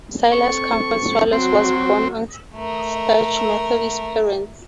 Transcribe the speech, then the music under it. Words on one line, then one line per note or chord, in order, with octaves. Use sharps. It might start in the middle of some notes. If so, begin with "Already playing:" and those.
Silas Comfort Swallow was born of staunch Methodist parents.
C4 A4 C#6
F#3 C4 F#4
A3 A#4